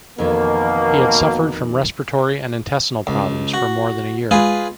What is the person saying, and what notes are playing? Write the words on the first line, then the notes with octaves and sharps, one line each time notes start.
He had suffered from respiratory and intestinal problems for more than a year.
F2 B2 D#3 E3 A#3
C#2
F#4
G#3 F4 G#4 B4